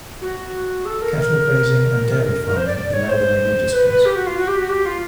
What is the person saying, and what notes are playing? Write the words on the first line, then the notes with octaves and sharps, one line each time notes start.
Cattle grazing and dairy farming are now the main industries.
F#4
A4
A#4
A#4
A#4
C5
D5
D5
C#5
C5
B4
B4
G4
F#4
F4
F#4
G4
F#4
G4
F4